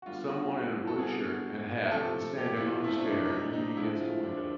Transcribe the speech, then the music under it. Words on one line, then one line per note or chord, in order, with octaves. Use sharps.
Someone in a blue shirt and hat is standing on stair and leaning against a window.
F#4
D3 G3 B3 F4
F#4
F4
E4
A4
D3 G3 B3 G#4
C3 F3 A3 A4
G4
E4
F4
C3 F3 A3 E4
D4
D#4
D#4
D4
D#4
D3 F3 G#3 C4 E4
F4
D4